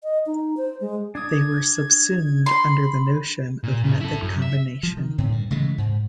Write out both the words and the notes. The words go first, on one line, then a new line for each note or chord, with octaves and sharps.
They were subsumed under the notion of method combination.
D#5
D#4
C5
G#3
D4 D#6 G#6
B5 C6
A#2
F#2 C#3
E4 A4
F#2
E5
F3
D#3
A2 D3 C4
G2
C#3 E3 G#3 A3
G#2